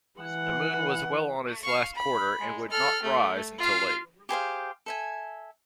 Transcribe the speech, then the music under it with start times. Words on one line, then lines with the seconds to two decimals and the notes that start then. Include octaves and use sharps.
The moon was well on its last quarter and would not rise till late.
0.21 E3 F#5
1.63 F5 C#6
1.95 B5
2.40 G#3
2.70 A4 F6
3.03 A3
3.59 F4 F5
4.29 G4 G#4 C5 F5
4.86 A4 E5 G#5